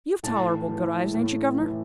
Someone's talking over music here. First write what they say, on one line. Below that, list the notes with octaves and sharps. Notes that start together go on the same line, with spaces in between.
'You've tolerable good eyes, ain't you, Governor?
A2 A5
E3
A2
E3